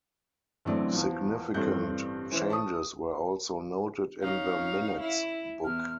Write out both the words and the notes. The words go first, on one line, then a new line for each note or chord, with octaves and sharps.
Significant changes were also noted in the minutes book.
A1 D3 F#3 A3 C4 D5
E2 F3
A1 G2 C4 A4 F#6 G6
E3 C#4 C5
A5 C#6 D#6
C#4 D#4 F5
E4
E2 F6